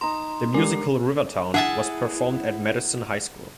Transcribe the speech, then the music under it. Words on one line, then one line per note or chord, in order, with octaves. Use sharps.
The musical, "Rivertown", was performed at Madison High School.
D#4 A#5 C6
D3 G3 G#3 A#4
D4 E4 G#4 E5 F#5 A5